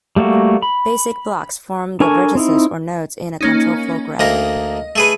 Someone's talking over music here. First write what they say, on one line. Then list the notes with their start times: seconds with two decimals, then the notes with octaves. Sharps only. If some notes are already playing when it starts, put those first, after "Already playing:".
Basic blocks form the vertices or nodes in a control flow graph.
0.16 G3 A3 A#3 F#4
0.62 B5
2.00 D4 A4 A#4 G#5 C#6
2.35 C4 D#4 E4
3.41 A#3 C#4 D#4
4.19 D2 A#3 D#5 A#5
4.96 A3 G#4 B4